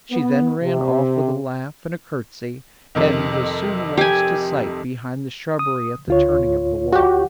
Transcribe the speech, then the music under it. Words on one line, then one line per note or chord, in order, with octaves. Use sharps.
She then ran off with a laugh and a courtesy, and was soon lost to sight behind the shrubbery at the turning of the walk.
B3
C3
F2 C3 D#3
G4 G#5
D#6
D2 F4 C#5
F#4 G4